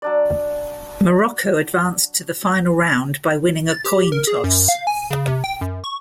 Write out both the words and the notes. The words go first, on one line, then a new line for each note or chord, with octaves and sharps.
Morocco advanced to the Final Round, by winning a coin toss.
F#3 D4 D5
A6
G4
A#4
G#4
F#2
F5
G#5
C#3
C3
G5
F#2
C#6